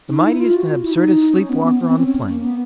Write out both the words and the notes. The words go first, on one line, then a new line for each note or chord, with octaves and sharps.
The mightiest and absurdest sleep-walker on the planet!
D#4
E4
F4
F#4
E4
D#4
C#4
B3
B3
C4
C#4
C#4
A#3
B3